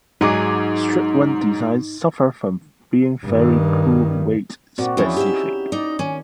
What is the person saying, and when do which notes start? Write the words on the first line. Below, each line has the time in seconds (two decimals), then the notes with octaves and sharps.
Strict-one designs suffer from being very crew weight specific.
0.21 G#2 F#3 D#4 G#4 D6
3.25 G2 D#3
4.78 A#2 C4 F#4 D5
4.97 E2 F3 C#4 E4 G#4
5.17 D#4 G4 E5
5.72 D#4 D5
5.99 D#3 C#4